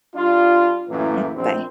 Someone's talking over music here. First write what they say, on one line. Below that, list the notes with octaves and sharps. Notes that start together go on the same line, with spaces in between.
Mm, bye.
G3 D4 F4
F#2 A2 E3 A#3
A#1 C4